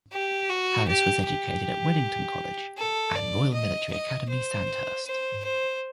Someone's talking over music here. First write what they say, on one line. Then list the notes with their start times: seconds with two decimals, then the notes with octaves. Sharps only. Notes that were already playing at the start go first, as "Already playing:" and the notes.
Harries was educated at Wellington College and Royal Military Academy Sandhurst.
0.12 G4
0.50 F#4
0.88 G4
1.26 G4
2.78 A4
3.15 D5
3.54 D#5
3.92 D#5
4.30 C5
5.06 C5
5.44 C5